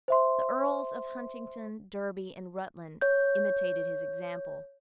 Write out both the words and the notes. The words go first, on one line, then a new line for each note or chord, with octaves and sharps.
The earls of Huntingdon, Derby, and Rutland imitated his example.
C5 E5 C6
C#5 G6